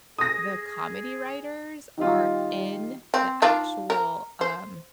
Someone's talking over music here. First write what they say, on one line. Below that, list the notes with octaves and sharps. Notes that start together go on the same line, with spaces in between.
the comedy writers are in the actual, um
G#4 D#6 A#6
D#3 G3 D#4 F4
C4
D#3 D4 F4
A#4
C5